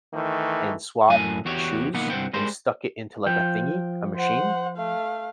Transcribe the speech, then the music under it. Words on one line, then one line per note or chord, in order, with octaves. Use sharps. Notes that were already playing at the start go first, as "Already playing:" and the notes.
and swabbed my shoes, and stuck it into, like, a thingy, a machine,
D#3 E3 A3
F#2 A2 G#5
E2 F#4 G4 C#5
B1 D#3 A#3 B3 F#5
C2 G2 C#3 C5 F#5 G5
G3 G#3 A#4 C5
F3 G5
C5 F#5
A3 F5